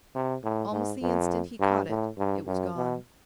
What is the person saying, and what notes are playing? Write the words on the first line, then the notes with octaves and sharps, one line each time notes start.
Almost the instant he caught it it was gone.
C3
A2
G#2
F2
G2
A2
G2
F#2
B2